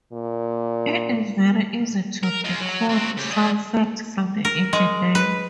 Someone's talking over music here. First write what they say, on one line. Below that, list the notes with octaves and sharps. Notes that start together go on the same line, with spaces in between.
It is very easy to decode some facts from the engine name.
A#2
A#4
G#3 F4
F#3
C4 F#4
C#3 G4
G3 G#4
A#4
G#3
B4